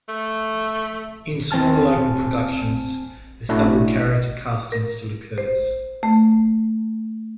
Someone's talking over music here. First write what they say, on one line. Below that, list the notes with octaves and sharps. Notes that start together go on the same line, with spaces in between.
In smaller local productions, this double character casting still occurs.
A3
E2 C4 G#5 A5 F6
A2 A3 C#4 D4 E4 F#4
A#4
C5
A3